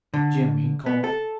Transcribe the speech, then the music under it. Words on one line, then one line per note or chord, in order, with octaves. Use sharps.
Jim!' he called.
D3
B3
A4